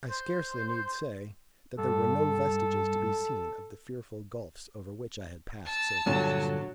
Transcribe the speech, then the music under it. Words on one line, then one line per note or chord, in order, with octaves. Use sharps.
I scarcely need say that there were no vestiges to be seen of the fearful gulfs over which I had passed so cautiously.
C5
G2 A4
A5 E6
G2 A#2 D3 F#3